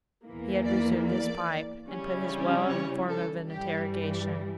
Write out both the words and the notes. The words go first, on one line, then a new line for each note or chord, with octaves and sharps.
He had resumed his pipe, and put his 'well' in the form of an interrogation.
E2 E3 A#3
D5
D5
C#3 G3 C#4 E4
C#5
A4
G2 E3 G3 G4